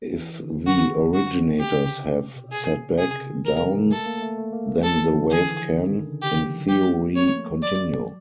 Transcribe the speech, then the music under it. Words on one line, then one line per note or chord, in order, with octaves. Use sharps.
If the originators have sat back down then the wave can, in theory, continue.
E3
D3
F#4
F#4
C#3 G4
C#3
C3
C3
C3
B2
G#4
C3 G#4
C#3
D#3
E3 A#4
G3
A3
A3 A4
A#3
A3
A3
A#3
A#3
F3 A4
E3
E3
D#3
D3
G#4
D#3
D3
C#3
D#3 G4
E3
F3
F#3
F3 G4
A#3
B3
A#3 C#5
A3
A3
G3
F#3 D5